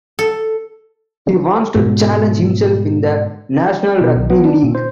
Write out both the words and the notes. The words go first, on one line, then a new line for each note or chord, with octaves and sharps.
He wants to challenge himself in the National Rugby League.
A4
G#2 B2
B2
B1
B3
D4
A#2
C5